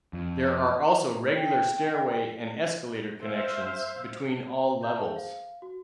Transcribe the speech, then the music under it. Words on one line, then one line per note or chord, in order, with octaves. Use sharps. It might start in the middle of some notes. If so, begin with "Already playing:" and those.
There are also regular stairway and escalator connections between all levels.
F2
G5
C5 E5 F5
E5 A#5 G6
G#4 C5 E5 A5
F5
F#4